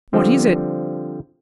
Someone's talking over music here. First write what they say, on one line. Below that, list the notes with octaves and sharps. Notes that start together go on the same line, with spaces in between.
What is it?
D3 F3 G3 C4